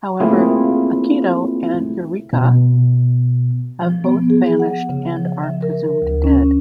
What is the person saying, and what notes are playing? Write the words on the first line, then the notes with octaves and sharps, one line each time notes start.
However, Akito and Yurika have both vanished and are presumed dead.
A3 A#3 C4 E4 F4 G#4
B2
F3
B3
G#4
F#5
C#3
F3
E5
A#4
D2
C#4